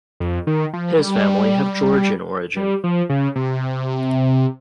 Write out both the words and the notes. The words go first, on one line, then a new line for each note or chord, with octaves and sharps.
His family have Georgian origin.
F2
D#3
F3
G3
G3
F3
C#3
C3